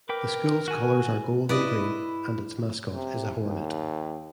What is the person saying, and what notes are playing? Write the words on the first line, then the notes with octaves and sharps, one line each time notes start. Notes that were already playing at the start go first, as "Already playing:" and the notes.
The school's colors are gold and green, and its mascot is a hornet.
A#4 B4 G5 D6
F#4 G#5
E4 B4 D5 D#5
C3
D#2